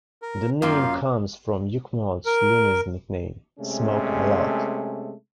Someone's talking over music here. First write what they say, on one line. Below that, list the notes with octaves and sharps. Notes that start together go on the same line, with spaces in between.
The name comes from Yukmouth's Luniz nickname, "Smoke-a-Lot".
A#4
F#2 A#3 F4 F5 G5
A#4
C3 G#3 A3 C#4 A4